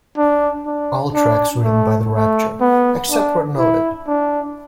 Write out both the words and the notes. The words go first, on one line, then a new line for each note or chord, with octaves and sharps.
All tracks written by The Rapture, except where noted.
D4
D4
D4
A3
A3
B3
D4
E4
D4